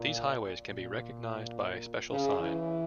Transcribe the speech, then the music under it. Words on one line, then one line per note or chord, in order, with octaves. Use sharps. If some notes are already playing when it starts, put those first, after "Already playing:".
These highways can be recognized by a special sign.
Already playing: A#2
A#2
C#3
E3